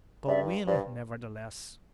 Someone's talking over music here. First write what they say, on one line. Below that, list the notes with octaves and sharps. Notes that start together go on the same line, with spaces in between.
"Go in, nevertheless."
G2 D5 E5
G2 C5 D5